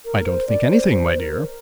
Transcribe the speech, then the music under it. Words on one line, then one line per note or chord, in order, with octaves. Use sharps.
"I don't think anything, my dear."
A#4
C5
D5
C5
C5
A#4